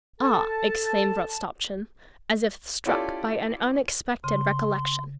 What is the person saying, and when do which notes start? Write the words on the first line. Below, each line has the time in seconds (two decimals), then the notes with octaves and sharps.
"Ah!" exclaimed Rostopchin, as if struck by an unexpected recollection.
0.21 A4 A5
2.85 C#4 E4 F4 G4 A4 D5
4.24 C#3 C6